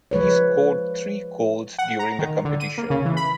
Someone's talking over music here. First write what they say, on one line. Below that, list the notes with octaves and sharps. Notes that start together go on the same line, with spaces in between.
He scored three goals during the competition.
F3 G#3 B4 C#5
F#5
A#5
D#3
D3
D#7
A#3
C#3
E3
B5